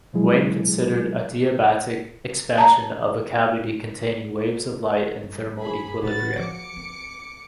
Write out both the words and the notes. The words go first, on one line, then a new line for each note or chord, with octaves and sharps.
Wien considered adiabatic expansion of a cavity containing waves of light in thermal equilibrium.
B2 F3 F#3 G#3 E4 G#4
A5 A#5
G2
G#4 B5
A2 A3 F#4 B4 A6
F3 D6 C#7
C4